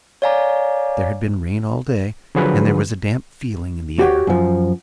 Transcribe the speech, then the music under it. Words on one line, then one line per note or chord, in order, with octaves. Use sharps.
There had been rain all day, and there was a damp feeling in the air.
C#5 D5 F5 G#5 A#5 D6
D3 F3 F#3 G#4 B4
F#4 G4 C#5
F#2 F3